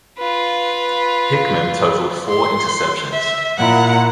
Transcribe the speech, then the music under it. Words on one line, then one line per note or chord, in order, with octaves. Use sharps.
Hickman totaled four interceptions.
F4 B4
C6
E5
A#2 E4 F#5 A#5